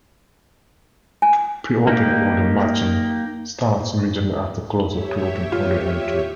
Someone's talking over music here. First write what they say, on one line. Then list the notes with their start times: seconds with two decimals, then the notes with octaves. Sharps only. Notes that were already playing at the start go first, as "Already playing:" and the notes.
Pre-open order matching starts immediately after close of pre-open order entry.
1.22 G#5
1.87 A#3 D#4 G4
4.84 G4 C#5 E5
5.52 F4